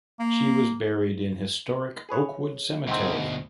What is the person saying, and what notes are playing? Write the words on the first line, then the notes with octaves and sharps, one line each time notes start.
She was buried in Historic Oakwood Cemetery.
A#3
G#4 B4 C#5
D2 G#2 B2 C4